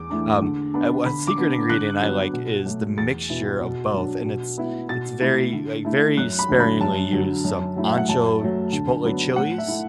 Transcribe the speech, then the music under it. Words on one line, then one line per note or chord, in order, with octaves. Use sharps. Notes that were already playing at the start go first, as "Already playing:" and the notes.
um, a w a secret ingredient I like is the mixture of both, and it's it's very, like, very sparingly used, some ancho chipotle chilies
Already playing: E2 D6
E3 A3 D4
D3
B3 D4
D3 B5
D6
B3 D4
D3 F#6
F#3 B3
B2
F#3 A3
E2 A6
B2 B3 E4
B2
F#3 D4
B2
B3 E4
B2 A6
A3 E4
D3
A3 E4
F#2 F#6
B5
D3 F#3 A3 D4
B5
F#2 A5
D3 F#3
F#2
F#3 A3 E4
E5
F#5
F#2 A5
F#3 A3
D3
F#3 B3 D4
A2 F#5
E5
A3 E4